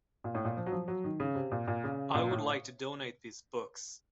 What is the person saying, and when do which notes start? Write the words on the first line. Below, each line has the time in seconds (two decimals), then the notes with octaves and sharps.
I would like to donate these books.
0.24 A#2
0.35 A2
0.45 A#2
0.57 F3
0.66 F#3
0.72 F3
0.88 F#3
1.04 D#3
1.20 C#3
1.35 C3
1.51 A#2
1.68 A#2
1.84 C#3
2.14 A#2
2.31 A2